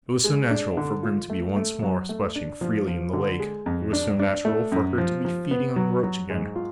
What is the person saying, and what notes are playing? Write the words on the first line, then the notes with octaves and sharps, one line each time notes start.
It was so natural for Grim to be once more splashing freely in the lake; it was so natural for her to be feeding on roach again.
G#3
D4
D3
F4
A3
A3
F#3
A3
D4
F3
F3
D3
G#3
F2
D4
D4
A3
F#2
F3
F3
B3
F#3
F#3
G#2
F4